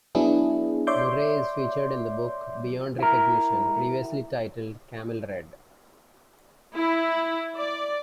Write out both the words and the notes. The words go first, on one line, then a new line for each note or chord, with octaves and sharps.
Murray is featured in the book "Beyond Recognition", previously titled "Camel Red".
F#3 B3 D4 E4 G#4
C#5 D5 E5 C6 D6 G6
E4 A#4
E4
D5